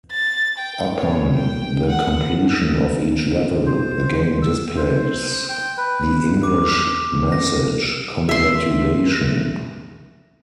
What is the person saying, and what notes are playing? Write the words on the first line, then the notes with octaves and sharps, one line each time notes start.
Upon the completion of each level, the game displays the Engrish message Congraturation!
A6
G5
C#5
G5
F#5
C5
E6
C5
G5
B4
D6
A#6
E5 C6